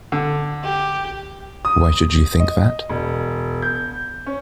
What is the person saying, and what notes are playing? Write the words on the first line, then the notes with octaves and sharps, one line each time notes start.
Why should you think that?
D3
G4
D#6
D#5
E1
G6
C#4